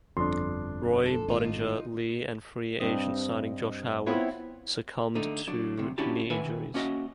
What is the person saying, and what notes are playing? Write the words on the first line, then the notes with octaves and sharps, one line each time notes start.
Roy, Budinger, Lee and free agent signing Josh Howard succumbed to knee injuries.
G1 F2 D4 C6
A4
G#1 D#4 F4
G2 C4 D#5
B3 C4 E4 F4 B4 C#5
D3 A3 D#4
F#3 D4
D2 C3
C#4 D4 E4 F#4 G4 A5
D#3 B4 E5 F#5 G#5
A#3 C#4 F#4 D#5 E5 F#5